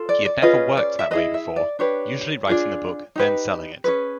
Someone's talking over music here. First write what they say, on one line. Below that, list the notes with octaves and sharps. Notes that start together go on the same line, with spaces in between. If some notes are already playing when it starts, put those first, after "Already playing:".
He had never worked that way before, usually writing the book then selling it.
Already playing: F4 A4
D5
D5
C#4 F4 G#4 B4 D#5
D5
E5
E4 G#4 B4 D#5
E5
D5
D4 G4 B4 C#5
D4 F4 G#4
D#4 G4 B4
C#4 E4 G#4 B4